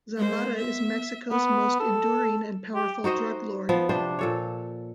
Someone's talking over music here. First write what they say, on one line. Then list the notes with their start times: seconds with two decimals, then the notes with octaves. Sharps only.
Zambada is Mexico's most enduring and powerful drug lord.
0.17 G#3 A#3 C5
0.58 B3 E5
1.32 B3
1.80 A4
2.75 G4
3.04 D#4 F#4 C5 D#5
3.69 F3 B3
3.89 C3 D4 C5
4.19 A#2 A4 C#5